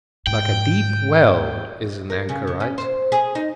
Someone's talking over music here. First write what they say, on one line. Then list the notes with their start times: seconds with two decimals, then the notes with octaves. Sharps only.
Like a deep well is an anchorite.
0.27 G#2 G5
2.10 A#4
2.29 C#3
2.47 C#3
2.60 C#4
2.78 C5
3.12 G#4
3.35 D#4